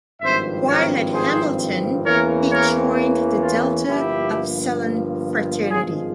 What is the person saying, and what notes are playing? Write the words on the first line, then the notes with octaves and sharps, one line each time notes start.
While at Hamilton he joined the Delta Upsilon Fraternity.
G#1 G2 F3 C4 C5 E5
A#4 C#5
G#4 C5
E2 E3 A#3 C#4 A#4 C#5
A#4 C#5
F4
G1 G2 F3 A#3 E4 G4
G#1 G2 F3 G#3 F4 G#4